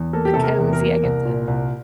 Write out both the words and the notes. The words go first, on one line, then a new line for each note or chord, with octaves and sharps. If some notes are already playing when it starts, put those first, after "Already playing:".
The cozy. I get the
Already playing: E2
A#3 A4
G4
C3 A4
A#4
E2
A#4
A#3
C2
A#2
C2